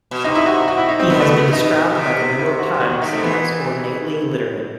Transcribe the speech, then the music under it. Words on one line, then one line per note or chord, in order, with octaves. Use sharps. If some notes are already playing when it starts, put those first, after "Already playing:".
He has been described by The New York Times as ornately literate.
B2
C3 D#4
E4
F#4
F#4
E4
D#4
C4
B2 B3
A3
B3
D#4
C3
E4
F#4
C3 G4
D#3 F#4
F#4
C3 D#4
C3 A3
E3 B3